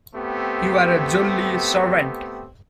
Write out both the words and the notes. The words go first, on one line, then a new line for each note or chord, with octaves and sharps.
You are a jolly servant!
A3 B3 C4 G4